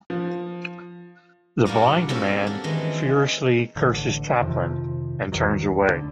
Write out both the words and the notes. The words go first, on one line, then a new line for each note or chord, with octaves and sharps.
The blind man furiously curses Chaplin and turns away.
F3
A#2 G3 A#3 D4 F#4
A#3 C4 C#4 F#4 G4 A4
D4
D#3 E3 G#3
A1 D3
F2 C3 D#3 F3
G#1 E2 D#3 F#3
D2 D3